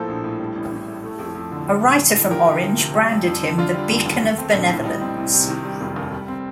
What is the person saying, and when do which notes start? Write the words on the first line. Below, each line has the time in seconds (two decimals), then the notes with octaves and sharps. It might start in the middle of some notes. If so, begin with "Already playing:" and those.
A writer from Orange branded him the "beacon of benevolence".
Already playing: A2 F3 A#3 A4 C5
0.08 A#1
0.24 A2
0.40 G3
0.55 A1
0.72 A1
0.88 A2
1.04 A3
1.19 F2
1.35 F2
1.52 D3
1.67 G3
1.83 A#1
1.99 A#1
2.15 A2
2.31 F3 G4 A#4
2.47 D2
2.62 D2
2.78 C3
2.94 G3
3.11 F2
3.26 F2
3.42 D3
3.58 D3 D4 F4
3.74 G3
3.90 F1
4.06 D#2
4.21 A3
4.38 C4
4.53 A#1
4.69 A2
4.85 G3 D#4
5.01 C4
5.17 C2
5.34 C3
5.49 D#3
5.65 G3
5.80 F1
5.96 D#2
6.12 G3
6.28 C4